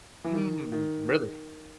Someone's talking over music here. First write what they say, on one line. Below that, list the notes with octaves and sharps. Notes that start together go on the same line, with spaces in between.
Mm, really?
E3
D#3
D#3